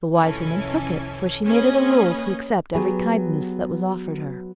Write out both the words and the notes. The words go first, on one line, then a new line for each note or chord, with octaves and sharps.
The wise woman took it, for she made it a rule to accept every kindness that was offered her.
C2 F2 E3 C#4 A4 G#5
A#3 C#4 G#4 B4 D#5
F#3 B3 G4 G#4 B4